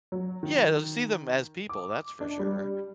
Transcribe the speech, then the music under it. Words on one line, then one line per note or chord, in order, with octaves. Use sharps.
Yeah, they'll see them as people, that's for sure.
F#3
D#3
D6
D4
G3